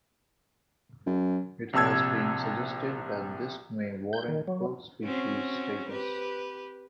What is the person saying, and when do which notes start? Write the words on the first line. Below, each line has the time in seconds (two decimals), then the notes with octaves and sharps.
It has been suggested that this may warrant full species status.
1.06 F#2
1.73 A#1 C3 A5 E6 G#6
4.13 G6
4.28 D#3
4.47 F#3
5.04 C4 C#4 F#4
5.89 G4 B4